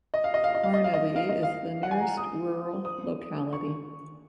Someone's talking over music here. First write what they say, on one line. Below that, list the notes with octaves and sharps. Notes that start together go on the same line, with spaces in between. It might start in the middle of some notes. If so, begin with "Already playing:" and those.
Kharnavy is the nearest rural locality.
D#5
F5
D#5
F5
D#5
F5
D#5
F5
D#5
F5
D#5
F5
F#5
G#5
A#5
D#6
D#6
C#6